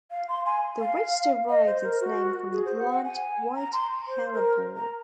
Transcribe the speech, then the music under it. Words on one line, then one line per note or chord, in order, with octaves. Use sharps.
The ridge derives its name from the plant white hellebore.
F5
C6
G#5
F5
D#5
C5
A#4
F#4
G#4
C5
F#5
F#5
G#5
A#5
C6
C5
A#4
A#5